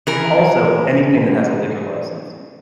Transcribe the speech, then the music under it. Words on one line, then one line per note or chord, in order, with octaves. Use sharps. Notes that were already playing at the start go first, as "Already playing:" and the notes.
Also, anything that has a liquor license.
E3 A#4